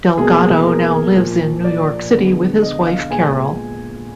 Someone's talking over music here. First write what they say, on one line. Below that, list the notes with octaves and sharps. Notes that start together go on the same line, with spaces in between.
Delgado now lives in New York City with his wife Carole.
B2 A#3 G#4
A#4
A#2 F3 A#3
D5
D3 G#3 B3
D#5
F5
A#2 G#3 B3 G#5